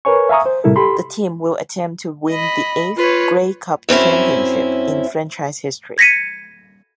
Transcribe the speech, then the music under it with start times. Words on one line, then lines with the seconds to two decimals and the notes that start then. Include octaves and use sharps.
The team will attempt to win the eighth Grey Cup championship in franchise history.
0.05 A#4 B4 C#5 G#5 C#6
0.29 E5 F5 G#5 A#5 C#6 D#6
0.46 C5
0.64 A2 C3 G3 E4 A4 A#4
0.76 G4 A4 B5 C6
2.30 D#5 B5
2.98 F4 B4 C#5
3.89 F#2 C4 C#4 E4
5.98 G#6 A#6 B6 C#7 D#7